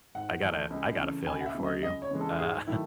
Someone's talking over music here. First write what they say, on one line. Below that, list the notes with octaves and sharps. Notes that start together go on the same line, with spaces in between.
I got a I got a failure for you, uh
G#2 F#5
E3 A3
C#2
C#3 E3 A3
C#2 G#5
F#5
E5
C#3 F#3
D#5
C#2 D#5
C#5
C#3 E3 G#3
A4
G#2 G#4
D#3 F#3 A3 E4